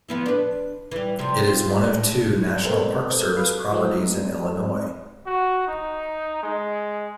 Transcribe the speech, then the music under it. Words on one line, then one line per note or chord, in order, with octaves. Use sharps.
It is one of two National Park Service properties in Illinois.
F3 B3 E4
D4 B4
E3 G3
C3 F3 G3
F4
A2
A3 B3 C4 A4 A#4
A4 B4 F5
E3 F#3 G#3 A3 C4 D#4
F#4
D#4
G#3